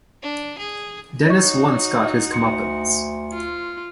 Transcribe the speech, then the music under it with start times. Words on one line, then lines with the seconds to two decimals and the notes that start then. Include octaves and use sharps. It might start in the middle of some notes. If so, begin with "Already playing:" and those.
Dennis once got his comeuppance.
0.22 D4
0.58 G#4
1.26 D#4 F#4 C#5 C#6
2.32 D2 C6 C#7
3.33 F4